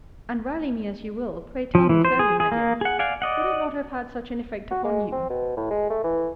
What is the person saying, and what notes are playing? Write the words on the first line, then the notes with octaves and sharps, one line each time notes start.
And, rally me as you will, pray tell me fairly, my dear, would it not have had such an effect upon you?
F3
E3
C5
G#4
G#4
A#3
G#4 F#5
D5 F5 F#5 G#5
D5 D#5 F#5
F#4
G#3
C4
B2
A2
G#3
A3
E3